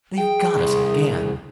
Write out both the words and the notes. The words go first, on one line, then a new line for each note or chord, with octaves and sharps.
"They've got us again."
G#4 G5
C2